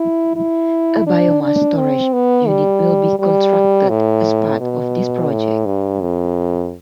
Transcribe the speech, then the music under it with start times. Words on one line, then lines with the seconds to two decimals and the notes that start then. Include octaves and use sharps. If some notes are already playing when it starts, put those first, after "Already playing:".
A biomass storage unit will be constructed as part of this project.
Already playing: E4
0.36 E4
1.07 D4
1.42 D4
1.77 C4
2.13 B3
2.48 G3
3.19 G3
3.89 A2
4.60 B2
5.31 A2
5.66 G2
6.01 F2